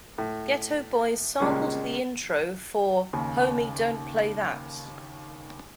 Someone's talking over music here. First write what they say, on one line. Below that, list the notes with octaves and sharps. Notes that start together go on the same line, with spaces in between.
Geto Boys sampled the intro for "Homie Don't Play That".
A2
C#2 A#2 G3 G#3 C#4
D#2 C#3